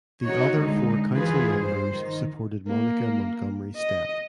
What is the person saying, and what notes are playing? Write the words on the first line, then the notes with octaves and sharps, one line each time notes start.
The other four council members supported Monica Montgomery Steppe.
D#4 F#4 C#5
D3 G#3 D#4
E3 F4 G#4 B4
G2 C5
D#3
A#3
D#5